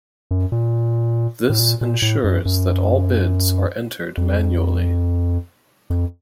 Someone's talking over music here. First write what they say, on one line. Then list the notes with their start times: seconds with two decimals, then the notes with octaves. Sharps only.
This ensures that all bids are entered manually.
0.31 F#2
0.52 A#2
1.49 A2
1.60 A#2
1.81 A#2
2.02 A2
2.24 F#2
2.45 F#2
4.17 F2
5.90 F2